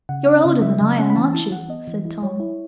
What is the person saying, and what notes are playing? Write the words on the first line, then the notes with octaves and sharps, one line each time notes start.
"You're older than I am, aren't you?" said Tom.
C#3 F#5
C#4
C#3
F#3 E5
C#3 D#5
C#4 F#5
B5
E3 A5
E4 A5
E3 F#5
B3 D#5
E3
E4
F#3 C#5
E4